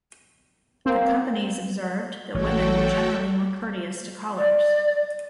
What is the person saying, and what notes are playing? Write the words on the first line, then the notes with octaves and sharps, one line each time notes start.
The companies observed that women were generally more courteous to callers.
A#3 C4
A1 F#4 A4 C#5 G5
D5